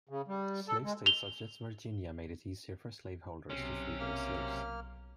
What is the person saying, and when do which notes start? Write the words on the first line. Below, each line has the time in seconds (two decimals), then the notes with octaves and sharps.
Slave states such as Virginia made it easier for slaveholders to free their slaves.
0.09 C#3
0.28 G3
0.68 A4
0.84 G#3
1.06 F7 G7
3.50 B1 C3 C#4
3.99 A#3 F6